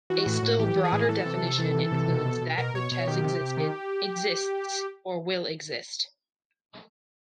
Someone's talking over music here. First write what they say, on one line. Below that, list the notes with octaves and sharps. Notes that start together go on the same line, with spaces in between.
A still broader definition includes that which has existed, exists, or will exist.
E3 F#4
A2
A2
E3 G4
E3
G#4
A2
E3 A4
C3
C3
E3
E3
C3
B2
B2
B2
B2 A#4
B2 C#5
B2 C#5
D#3 G4
C3
C3
D#3